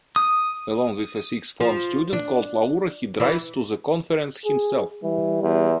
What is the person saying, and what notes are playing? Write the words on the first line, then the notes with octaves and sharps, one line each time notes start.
Along with a sixth form student called Laura he drives to the Conference himself.
D#6
F3
D4
E3
G#4
E3 G3
E2